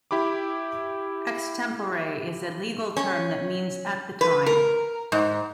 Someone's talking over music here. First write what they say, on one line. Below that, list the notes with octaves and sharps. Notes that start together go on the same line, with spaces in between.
"Ex tempore" is a legal term that means 'at the time'.
E4 G4 B5 D6
C#4
B4
A#4
G#2